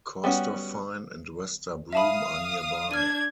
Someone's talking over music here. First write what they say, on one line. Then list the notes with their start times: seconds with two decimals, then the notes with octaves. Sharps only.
Corstorphine and Wester Broom are nearby.
0.24 G3 B3 C#4 F#4
1.93 E5 F5 A5 B5 D#6
2.91 D4 F6 G#6 D#7